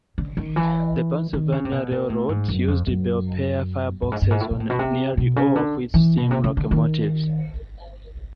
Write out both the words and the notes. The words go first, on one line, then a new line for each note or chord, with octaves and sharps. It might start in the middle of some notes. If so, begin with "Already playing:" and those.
The Pennsylvania Railroad used Belpaire fireboxes on nearly all of its steam locomotives.
D3
D#3
E3
D#3
C#3
C3
B2
A#2
A2
G#2
F#2
F2
F#2
G2
G#2
G2
G#2
A2
A#2
A2
B2
C3
B2
C#3
D3
E3
B2
C3
C#3
D3
D#3